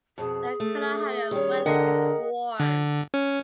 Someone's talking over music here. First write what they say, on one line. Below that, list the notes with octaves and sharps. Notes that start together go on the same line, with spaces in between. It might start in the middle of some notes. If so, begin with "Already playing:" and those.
The Kalaharian weather is warm.
F2 B2 G#4
A3
D#3 G3 C#4
D3 A#4 D#5 F#5 G5
D3
C#4